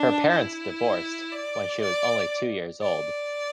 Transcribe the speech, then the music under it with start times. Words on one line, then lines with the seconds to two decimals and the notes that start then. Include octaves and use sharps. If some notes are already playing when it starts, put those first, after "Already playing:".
Her parents divorced when she was only two years old.
Already playing: D4
0.31 E4
1.32 D5
1.82 D5
2.82 D5